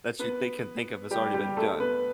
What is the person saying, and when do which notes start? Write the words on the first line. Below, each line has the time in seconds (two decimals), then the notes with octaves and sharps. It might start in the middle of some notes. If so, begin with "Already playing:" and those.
that you think of think of has already been done.
0.19 B3 B4
1.11 G3 G4
1.34 G3 G4
1.57 A3 A4
1.80 B3 B4